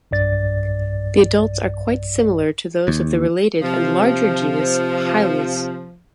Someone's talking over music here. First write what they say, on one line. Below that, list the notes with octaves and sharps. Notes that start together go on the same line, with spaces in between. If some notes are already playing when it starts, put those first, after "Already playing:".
The adults are quite similar to those of the related and larger genus "Hyles".
B1 G2 D5 A6
D#2
C3 F3